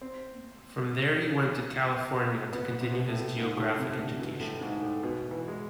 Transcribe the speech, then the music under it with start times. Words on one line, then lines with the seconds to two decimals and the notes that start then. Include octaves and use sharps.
From there he went to California to continue his geographic education.
0.01 C4
2.53 B3
2.80 C3
3.08 A2
3.36 G#2
3.57 A2
3.78 C3
3.98 D3
4.19 B2
4.41 A2
4.61 G#2
4.82 A2
5.03 B2
5.31 E3
5.48 G#3